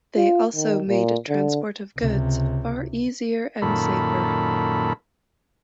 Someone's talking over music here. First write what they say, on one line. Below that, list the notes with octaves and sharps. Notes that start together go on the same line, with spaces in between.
They also made transport of goods far easier and safer.
F4
D#3
A#2
D3
C#2 C3
F#2 A#2 D#3 A4 B5